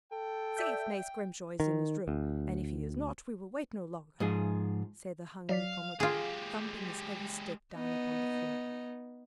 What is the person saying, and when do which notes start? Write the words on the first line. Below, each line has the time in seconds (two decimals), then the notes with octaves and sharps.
"See if Nace Grimshaw is in his room, and if he is not, we will wait no longer!" said the hungry commodore, thumping his heavy stick down upon the floor.
0.12 A4 G5
0.57 D5 E5 G6
1.60 D#3
2.08 D2
4.20 G#2 F3 G#4
5.49 F#3 D5 F5 B6
6.00 G#3 F4 G4 G#4
7.74 B3 D#4